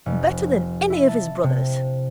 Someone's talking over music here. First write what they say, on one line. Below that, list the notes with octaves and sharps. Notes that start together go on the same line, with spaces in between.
Better than any of his brothers.
F1
E4
A5
C3